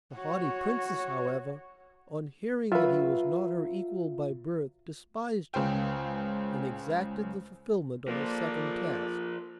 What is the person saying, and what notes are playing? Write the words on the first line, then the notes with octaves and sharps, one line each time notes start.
The haughty Princess, however, on hearing that he was not her equal by birth despised him, and exacted the fulfilment of a second task.
F#4 C#5
F#3 F4 B4 E5
C#2 C#3 C5 G5
F3 A#3 A4 A#4 C5 D5